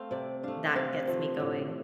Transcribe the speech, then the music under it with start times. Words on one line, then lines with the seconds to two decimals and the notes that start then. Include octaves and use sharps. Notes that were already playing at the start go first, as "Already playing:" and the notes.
that gets me going.
Already playing: A3 C4 C5 F5
0.11 C3 D5
0.43 A3 D4 F5
0.75 C3 F5
1.07 F3 A3
1.40 A2